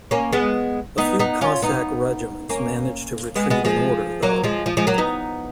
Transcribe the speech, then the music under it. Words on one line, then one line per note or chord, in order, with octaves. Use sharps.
A few Cossack regiments managed to retreat in order though.
A#3 C#4
G#3 B3
B3 D#4
B3 D#4
C#4 F4
B3 D#4
A#3 C#4
G#3 B3
G#3 B3
F3 G#3
F#3 A#3
F3 G#3
F3
F3 G#3
F#3 A#3
B3 D#4